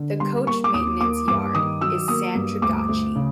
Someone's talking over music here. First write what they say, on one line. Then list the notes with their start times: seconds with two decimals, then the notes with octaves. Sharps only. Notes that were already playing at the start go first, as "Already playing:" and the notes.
The coach maintenance yard is in Santragachi.
Already playing: D3
0.20 G3 C6
0.47 A#3 C#6
0.64 D6
0.74 D#2 D#6
1.01 A#3 D6
1.28 G2 D6
1.55 D#3 D#6
1.81 F#3 E6
2.08 A#3 D#6
2.35 G2
2.62 D2 D6
2.89 D2
3.16 C#3